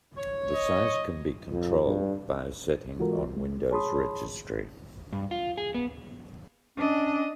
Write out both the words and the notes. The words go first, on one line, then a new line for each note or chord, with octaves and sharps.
The size can be controlled by a setting on Windows Registry.
C#5
D#5
F2
G2
E3 G#3 F4 F#4 A4 A#4
G#3
G#4 C#5 A5 B5 C6 D#6
G2
F4
G#4
B3
C#4 D4 D#5